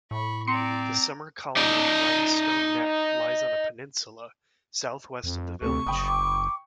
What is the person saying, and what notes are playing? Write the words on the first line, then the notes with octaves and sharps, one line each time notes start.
The summer colony of Grindstone Neck lies on a peninsula southwest of the village.
A2 B5 C#6
C4 D5 A#5 C6 C#7
D#4 D5
F2
D2 C3 A3 C#6
F#1 G5 B5 D#6
D6